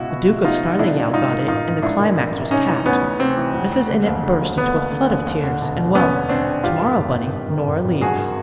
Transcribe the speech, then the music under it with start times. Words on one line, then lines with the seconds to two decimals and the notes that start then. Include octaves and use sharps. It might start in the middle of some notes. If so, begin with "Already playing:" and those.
The Duke of Snarleyow got it and the climax was capped. Mrs. Innitt burst into a flood of tears and--well, to-morrow, Bunny, Norah leaves.
Already playing: C#2 B2 E4 F#4
0.10 B2
0.28 C#2
0.44 B2 D#4 F4
0.62 C#2
0.79 B2 D4 E4
0.96 C#2
1.13 G#2 D#4 F4
1.31 D#3
1.48 A1 D#4 F4
1.65 A1
1.82 G#2 D4 E4
1.99 D#3
2.17 A1
2.34 A1
2.51 C3 C#4 D#4
2.68 E3
2.85 D2 B3 C#4
3.02 D2
3.20 C3 C4
3.37 E3
3.54 D2
3.72 D2
3.89 D3
4.06 D#2
4.23 D3
4.41 D#2
4.57 D3 B3
4.75 D#2
4.92 D3
5.09 D#2
5.26 D#2
5.43 D3
5.61 E1
5.78 E1
5.95 D#2 B3 C#4
6.12 D3
6.29 E1 C4 D4
6.47 E1
6.64 G2 F4 G4
6.81 D#3
6.98 G#1
7.16 G#1
7.32 G2
7.50 D#3
7.67 G#1
7.84 G#1
8.01 G2 F#4 G#4
8.18 D#3